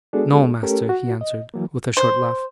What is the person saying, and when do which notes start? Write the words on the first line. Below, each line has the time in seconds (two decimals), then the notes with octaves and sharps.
'No, master,' he answered with a short laugh.
0.13 G#3 B3 D4 F#4 G#4 A4
0.63 A3 C#4 G4 A4 A#4
0.89 F#4
1.21 D#5
1.54 E3 F#3 A#3
1.97 C5